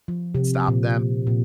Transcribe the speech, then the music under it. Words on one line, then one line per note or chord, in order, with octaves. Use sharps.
and stop them
F3
C3
A#2
A#2